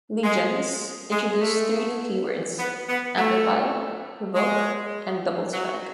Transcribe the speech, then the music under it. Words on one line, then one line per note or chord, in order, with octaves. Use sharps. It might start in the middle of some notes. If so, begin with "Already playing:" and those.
"Legions" introduced three new keywords: amplify, provoke, and double strike.
G#3
G#3
A3
B3
B3
A3
G#3
F#3